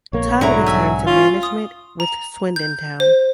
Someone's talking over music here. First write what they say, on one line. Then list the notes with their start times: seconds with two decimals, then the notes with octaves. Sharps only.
Todd returned to management with Swindon Town.
0.13 A#1 A#3 C#5
0.41 B1 G#2 D3 F#3 E4 A#5 C#6
0.66 E5 G#5
1.06 C#4 F4
1.43 D#6
2.00 A#5
2.56 G6
3.00 C5